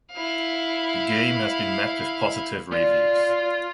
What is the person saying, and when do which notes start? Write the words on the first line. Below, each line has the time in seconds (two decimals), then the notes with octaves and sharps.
The game has been met with positive reviews.
0.13 E4 F5
2.71 F4 D5